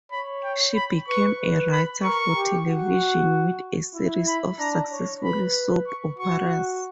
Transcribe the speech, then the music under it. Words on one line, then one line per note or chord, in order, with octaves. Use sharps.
She became a writer for television with a series of successful soap operas.
C#5 B5
G5
B5
B4 C#6
B4
B5
A#4 C#6
G4
F#4
E4
B5
D4 A#5
C#5
B4 B5
C#6
F#4 C#6